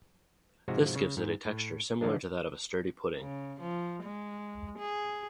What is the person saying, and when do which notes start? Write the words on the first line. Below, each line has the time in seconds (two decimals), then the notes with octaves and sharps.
This gives it a texture similar to that of a sturdy pudding.
0.68 G#2 C3 F3 G#3 F#4
0.96 C#3
1.17 G#2
1.45 A2
2.01 D3 E3 F3 G#3 D4
3.19 C#3
3.61 F3
4.04 G#3
4.79 G#4